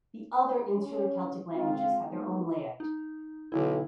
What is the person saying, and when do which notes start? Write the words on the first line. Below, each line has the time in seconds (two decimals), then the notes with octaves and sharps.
The other Insular Celtic languages have their own layout.
0.77 C#4
1.53 G#3 C4 F4
2.04 G#3 A#3 B3 D#4
2.80 D#4
3.52 B1 D3 E4